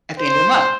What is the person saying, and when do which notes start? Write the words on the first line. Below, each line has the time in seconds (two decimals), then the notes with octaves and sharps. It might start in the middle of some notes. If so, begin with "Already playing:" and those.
at the end of the month,
0.20 C5